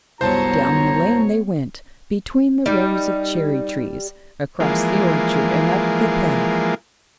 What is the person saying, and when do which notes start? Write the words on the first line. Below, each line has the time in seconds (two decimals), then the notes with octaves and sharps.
Down the lane they went, between the rows of cherry-trees; across the orchard and up the path.
0.21 C2 F#2 B3 C5 C#5 A5 A#5
2.66 G3 D#4
4.60 E3 F3 G#3 A#3